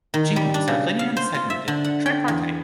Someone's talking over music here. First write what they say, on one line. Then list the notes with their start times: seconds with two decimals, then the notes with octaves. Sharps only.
Genomes are linear and segmented, tripartite.
0.14 D#3
0.36 G3
0.54 D4
0.68 C#3
0.99 F5
1.17 C5
1.34 F4
1.50 E5
1.68 D3
1.84 F#5
2.06 G5
2.28 E2